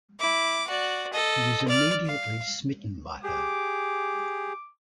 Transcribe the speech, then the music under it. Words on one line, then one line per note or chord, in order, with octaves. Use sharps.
He is immediately smitten by her.
E4 D6
F#4 D5
A4 D#5
D5 F6
F5
G4 G#4 D6